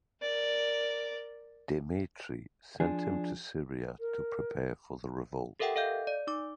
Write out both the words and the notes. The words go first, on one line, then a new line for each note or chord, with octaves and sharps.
Demetri sent him to Syria to prepare for the revolt.
A#4 D5
F3 D4 G#4
A#4
G4 A4 A#4 E5 F#5 G5
A4 D#5 F5 G6
D5
D#4 D6